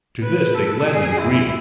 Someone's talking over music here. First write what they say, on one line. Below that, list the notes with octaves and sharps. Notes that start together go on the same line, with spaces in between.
To this they gladly agreed.
B4
A4
G#4
E4